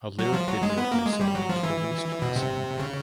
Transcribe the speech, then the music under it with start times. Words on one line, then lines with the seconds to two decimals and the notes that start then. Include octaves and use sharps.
A lyric video for the song was released the same day.
0.19 F#3
0.33 F3
0.48 F#3
0.63 G#3
0.78 B3
0.92 A#3
1.06 G#3
1.21 G3
1.35 F#3
1.49 F3
1.63 E3
2.22 B2
2.36 C3
2.80 C#3